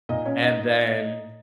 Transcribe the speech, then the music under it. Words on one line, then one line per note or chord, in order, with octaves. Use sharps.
and then
A#2 D#4 D#5
C#4 C#5
D#4 D#5